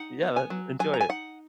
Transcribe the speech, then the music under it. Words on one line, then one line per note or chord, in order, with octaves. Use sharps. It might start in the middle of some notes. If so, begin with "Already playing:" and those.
Yeah, that enjoy it.
Already playing: D#4 F#5
B3
G#5
F#3
F#3 G#5
A#5
G#5
D#4 F#5